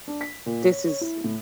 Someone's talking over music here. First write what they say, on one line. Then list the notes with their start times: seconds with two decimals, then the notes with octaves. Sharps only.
this is
0.08 D4
0.21 B6
0.46 A#2
0.64 C#5
0.86 C#5
1.01 E4
1.24 A2